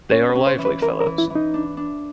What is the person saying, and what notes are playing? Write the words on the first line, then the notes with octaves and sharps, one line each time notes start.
They are lively fellows.
C#4 C#5
B4
C#4
C5
E3
B4
E3 A#4
A#4
E3
E4
E3
D#4
D4
D4